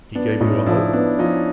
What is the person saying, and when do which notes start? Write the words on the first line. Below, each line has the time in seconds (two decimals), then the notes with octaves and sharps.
"He gave you a hope?"
0.15 B3 D4
0.40 A2 C#4 D#4
0.66 F3 D4 E4
0.93 B3 D4
1.19 F3 C#4 D#4